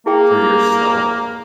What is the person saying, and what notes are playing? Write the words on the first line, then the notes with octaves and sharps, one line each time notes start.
for yourself,
A#3 E4 G#4 G5